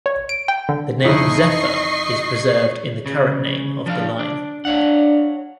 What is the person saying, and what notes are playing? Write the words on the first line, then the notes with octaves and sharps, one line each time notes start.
The name "Zephyr" is preserved in the current name of the line.
C#5
D7
G5
D3
F2 D#4 E4 D#5 C#6 C7
C#3
F3 D4 F5
D4
D4 C#5 F5 F#5